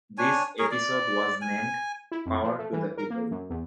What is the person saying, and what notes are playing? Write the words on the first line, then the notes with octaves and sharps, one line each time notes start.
This episode was named "Power to the People".
D4 C#5 G#5
G#4 A#4 C#5
D5
G#5
E4
F2
F3
A3
E3
A#4
A#3
F#2
E2